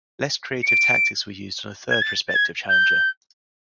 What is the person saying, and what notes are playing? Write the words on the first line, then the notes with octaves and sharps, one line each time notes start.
Less creative tactics were used on a third prospective challenger.
C#7
D7
G#6
A6
A6
G#6
G6